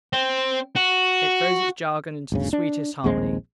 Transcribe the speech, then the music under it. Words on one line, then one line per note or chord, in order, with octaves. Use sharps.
It throws its jargon into the sweetest harmony.
C4
F#4
G1 D2 C#3
D4
A#1 D#2 G#3 C4